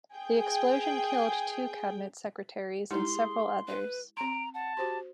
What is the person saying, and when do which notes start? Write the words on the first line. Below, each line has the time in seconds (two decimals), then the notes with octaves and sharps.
The explosion killed two cabinet secretaries and several others.
0.16 G#4 G5
2.91 G#3 D#4 E4 G4 C6
3.15 G#4
3.68 B4
4.17 C4 A#5 C6 D7
4.54 F#5 A5
4.77 F#4 G4 C5 C6